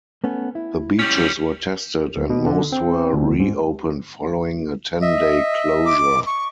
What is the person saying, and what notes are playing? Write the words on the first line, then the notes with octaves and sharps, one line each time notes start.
The beaches were tested and most were reopened following a ten-day closure.
A3 B3 C#4
E4
G3 C#4
D2
B2
D3
C4
D2
G#2
D#5 E5
D6
C#6